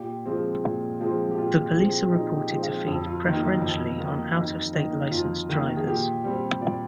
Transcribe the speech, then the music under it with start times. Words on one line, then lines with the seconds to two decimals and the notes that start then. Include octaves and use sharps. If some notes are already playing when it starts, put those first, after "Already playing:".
The police are reported to feed preferentially on out-of-state licensed drivers.
Already playing: A#2 G4
0.26 F3 G#3 C4
0.63 A#2
1.00 F3 G#3 C4
1.31 G4
1.37 A#2 F4
1.76 F3 G#3 C4
2.12 A#2 D#4
2.37 G4
2.50 F3 G#3 C4
2.63 F5
2.88 F2
3.06 F4
3.25 D#3 A#3 D#4
3.43 D#4
3.62 F2
4.00 D#3 A#3
4.37 F2 D#4
4.74 D#3 A#3 D#4
5.11 F2 F4
5.49 D#3 A#3
5.76 G#4
5.86 A#2 G4
6.24 G3 C4
6.61 A#2 D5